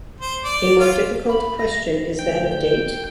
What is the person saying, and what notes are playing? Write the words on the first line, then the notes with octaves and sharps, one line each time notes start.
A more difficult question is that of date.
C5
D5
F4
B5
A#6
D2 G5